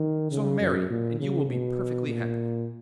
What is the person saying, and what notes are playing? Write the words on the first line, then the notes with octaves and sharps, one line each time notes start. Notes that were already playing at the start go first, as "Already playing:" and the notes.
So marry, and you will be perfectly happy.'
Already playing: D#3
C#3
F#2
A#2
C#3
B2
A#2